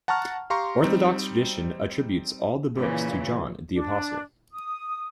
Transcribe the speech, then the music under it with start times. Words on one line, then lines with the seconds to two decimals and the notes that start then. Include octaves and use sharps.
Orthodox tradition attributes all the books to John the Apostle.
0.08 F#5 A5 A#5 C#6 F6
0.50 G4 F5 A#5 C6 C#6
0.83 G3 C4 D#4
2.76 A#2 C#3 E3
3.74 D4
4.52 D#6